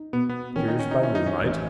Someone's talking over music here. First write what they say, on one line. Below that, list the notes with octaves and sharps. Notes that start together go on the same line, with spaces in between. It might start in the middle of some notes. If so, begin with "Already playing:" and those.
Piers by moonlight.
Already playing: D#4
B2 B3
B3
D#3 C#4
D#4
C#4
D#4
C#4 E4
D#4
C#4
A1 D#4
C#4